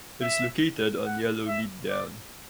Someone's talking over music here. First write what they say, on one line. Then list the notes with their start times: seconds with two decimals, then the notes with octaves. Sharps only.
It is located on Yellowmead Down.
0.22 E5
1.06 F#5
1.48 E5
1.90 D5